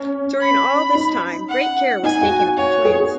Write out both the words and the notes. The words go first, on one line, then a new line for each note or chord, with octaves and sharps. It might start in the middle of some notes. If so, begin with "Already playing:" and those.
During all this time great care was taken of the twins.
Already playing: C#4
B5
D#4
F#5
D#4 G#5
F#4
F#4 C#5
G#4